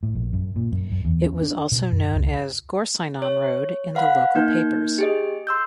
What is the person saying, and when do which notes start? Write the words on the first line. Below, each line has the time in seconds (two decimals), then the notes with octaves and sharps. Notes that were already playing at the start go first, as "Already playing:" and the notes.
It was also known as Gorseinon Road in the local papers.
0.03 A2
0.15 A#1
0.33 F#2
0.56 A#2
0.72 F#2
0.92 F#2
1.05 E2
1.26 C#4
1.42 D4
1.72 B2
1.92 F#2
2.15 C#2
3.22 C#5
3.95 B4 F5 F#5 B5
4.35 A#3 D#4 G6
4.98 G4 G#4 D#5
5.47 C6 E6 G6